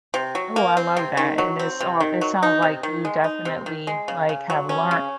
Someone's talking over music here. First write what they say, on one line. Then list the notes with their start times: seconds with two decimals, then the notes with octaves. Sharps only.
Oh, I love that and it's all it sounds like you definitely, like, have learned,
0.14 C3
0.35 F#3
0.56 A#3
0.77 C4
0.97 C3
1.17 D#3
1.38 F#3
1.59 C4
1.80 C3
2.00 D#3
2.21 F#3
2.43 D#4
2.62 C3
2.83 D#3
3.05 G#3
3.24 D#4
3.45 C3
3.66 D#3
3.87 G#3
4.08 C#3
4.29 C#3
4.50 F#3
4.69 C#4
4.91 C#3